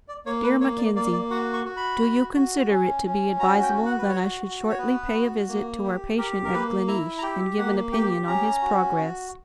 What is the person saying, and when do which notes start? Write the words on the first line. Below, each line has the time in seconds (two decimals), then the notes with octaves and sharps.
Dear Mackenzie: Do you consider it to be advisable that I should shortly pay a visit to our patient at Gleneesh and give an opinion on his progress?
0.08 D5
0.26 A#3 C#5
0.43 B4
0.61 A#3 C#5
0.78 D5
0.95 A#3 D5
1.13 D5
1.30 F#4 F#5
1.53 C#6
1.65 F#4
1.77 B5
2.01 F#4
2.36 F#4
2.70 C#4
3.05 C#4
3.40 F#4 A#5
3.62 G5
3.75 F#4
3.86 F#5
3.98 B4
4.09 F#4 C#5
4.44 F#4
4.70 C#5
4.78 B3 B4
5.13 F#4
5.48 A#3
5.83 G4
6.18 G4 A#4
6.44 A#4
6.53 A#3 B4
6.88 E4 A#5
7.18 A#5
7.22 G4 G5
7.57 A#3 F#5
7.92 G4 G5
8.27 C#4 A#5
8.62 F#4
8.97 F#4